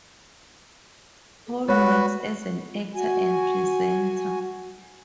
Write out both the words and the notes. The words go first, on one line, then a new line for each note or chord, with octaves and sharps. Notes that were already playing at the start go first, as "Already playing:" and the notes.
Paul works as an actor and presenter.
G#3 F#4 B4 C#5
F#4 G#5